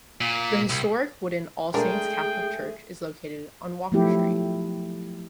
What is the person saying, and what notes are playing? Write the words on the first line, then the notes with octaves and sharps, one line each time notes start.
The historic wooden All Saints Catholic Church is located on Walker Street.
A#2
C2
G#3 A3 D4 G#4 A#4 G5
F3 F#3 A3 B3 E4 G4